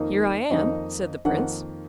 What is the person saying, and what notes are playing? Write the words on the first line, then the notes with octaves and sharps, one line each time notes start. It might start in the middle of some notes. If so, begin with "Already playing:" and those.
"Here I am," said the prince.
Already playing: F2 D#3 A#3 D#4 D#5
F2 D#3 A#3 D#4 D#5
F2 D#3 A#3 D#4 F#5